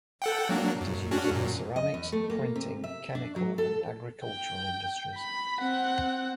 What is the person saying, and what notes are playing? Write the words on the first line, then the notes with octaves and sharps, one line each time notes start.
It is used in the ceramics, printing, chemical and agriculture industries.
A4 F#5 G5
F#3 A#3 D4
F#2
C#4 D4 F#4
F#2 A#2
D#5
E2
A3
A#3
C3
E5
D4
F#3
A4
G5
B5
C4 F#5